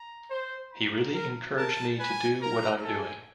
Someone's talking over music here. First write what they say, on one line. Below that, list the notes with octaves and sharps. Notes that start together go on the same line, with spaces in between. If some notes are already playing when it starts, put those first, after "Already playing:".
He really encouraged me to do what I'm doing.
Already playing: A#5
C5
A#5
A#4
A#4 A5
B4 G#5
A#4 A#5
A4 G#5